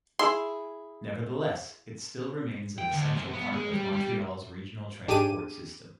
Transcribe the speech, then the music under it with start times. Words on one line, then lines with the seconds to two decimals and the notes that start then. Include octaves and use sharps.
Nevertheless, it still remains an essential part of Montreal's regional transport system.
0.19 E4 G#4 C6
2.78 G5
2.91 D2
3.14 F#2
3.34 B3
3.53 G#3
3.71 G3
3.93 G3
5.08 G#2 D4 G4 G#4 D6 D#7